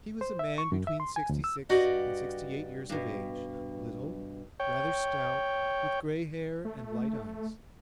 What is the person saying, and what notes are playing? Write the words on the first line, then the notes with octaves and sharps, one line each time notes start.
He was a man between sixty-six and sixty-eight years of age, little, rather stout, with gray hair and light eyes.
C5
E5
C#6
F#2
E5
C6
G#5
D2
E6
G2 F#4 G4 D5 D#5
G2 B2
C#5 G5
A3